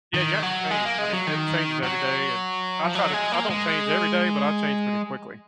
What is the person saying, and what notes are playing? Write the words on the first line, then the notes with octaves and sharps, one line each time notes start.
Yeah, you have to change, I mean, it changes every day, and I try to I don't change every day, but I change pretty quickly.
D#3
F#3
G#3
A#3
G#3
F#3
D#3
F#3
F3
F#3
G#3
A#3
G#3